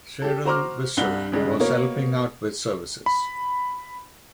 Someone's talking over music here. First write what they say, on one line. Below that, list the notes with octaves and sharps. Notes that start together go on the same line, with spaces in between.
Sarel Visser was helping out with services.
G4 A4
F#4 C5 A#5 C6 D6 F6
C2 G2 G7
G#1 G2 C#3 G#3
B2 A#3 A#4 C#5
B5